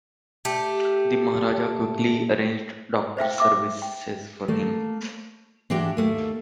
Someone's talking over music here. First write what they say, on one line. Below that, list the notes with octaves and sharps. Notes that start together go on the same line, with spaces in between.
The Maharaja quickly arranged doctor's services for him.
A3 G4
C5 E5 F5 G5
E5 D6 E6
G5
A3 A#3
E3 G#3 D4 F#4 G4
D#2 A3 A#3